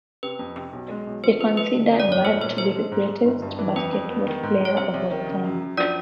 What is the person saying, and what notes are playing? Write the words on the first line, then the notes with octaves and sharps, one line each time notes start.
He considered Bird to be the greatest basketball player of all time.
C3 B4
F2
C3
B1
G#3
B1
F3 C5
F3 B4
G#3 B4
D3
F2
D5
G1 C#5
A3 C5
A#2 C5
A3 C5
G#3
G#2
G#2
G1
G2
E3
F2 B4
F2
B3
D#3
G#2
G#2
C#5
C2 C5
C2
D#3
C#3
F#2
F#2
F3 D4 D5